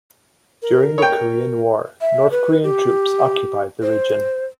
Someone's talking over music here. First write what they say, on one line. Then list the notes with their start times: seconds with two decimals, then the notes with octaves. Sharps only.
During the Korean War, North Korean troops occupied the region.
0.62 A#4
0.98 C#5 G5
2.01 E5
2.31 B4
2.64 G4
3.82 C5